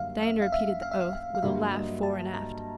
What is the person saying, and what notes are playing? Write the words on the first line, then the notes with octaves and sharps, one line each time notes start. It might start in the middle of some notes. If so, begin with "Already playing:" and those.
Diana repeated the "oath" with a laugh fore and aft.
Already playing: F#2 D3 G3 A#3 C#4 E5 F5
E5
F5
E5
F5
E5
F5
F5
F5
G2 D3 F#3 A#3 E5
D#5
A5
A#5